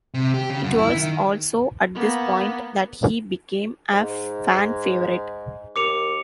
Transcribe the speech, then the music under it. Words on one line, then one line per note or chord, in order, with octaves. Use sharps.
It was also at this point that he became a fan favourite.
C3
G4
C#3
F#2
E4
D#3
A#3 B3
G#2
D#2 D6 C#7 F7